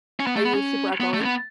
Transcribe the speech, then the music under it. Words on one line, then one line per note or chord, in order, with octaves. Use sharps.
Are you super outgoing?
C#4
B3
A3
B3
C#4
B3
A3
C#4
B3